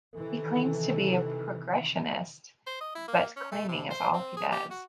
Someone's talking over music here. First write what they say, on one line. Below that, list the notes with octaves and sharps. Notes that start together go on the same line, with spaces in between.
He claims to be a progressionist, but claiming is all he does.
C3 D#3 E3 A4
C5
D#5
E4
A#3
C#4
A3
C3
C5
C4
G#4
G4
F#4